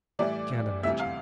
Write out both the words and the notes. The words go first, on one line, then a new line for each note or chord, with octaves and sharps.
'Can't imagine.
A2 E3 G3 D5
D2 C3 E3 G3 E5
F5